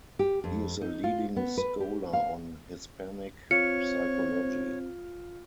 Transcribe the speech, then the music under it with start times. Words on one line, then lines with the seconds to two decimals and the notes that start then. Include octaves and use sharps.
He is a leading scholar on Hispanic psychology.
0.19 G4
0.44 F2
0.81 D#4
1.04 F4
1.36 B3
1.57 B4
1.80 G4
2.13 F5
3.51 C4 F4 C#5 C#7